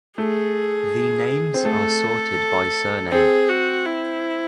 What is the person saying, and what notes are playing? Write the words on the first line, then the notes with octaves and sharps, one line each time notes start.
The names are sorted by surname.
A3 G#4
C4
A3 A4
C4 G#4
F#4
E4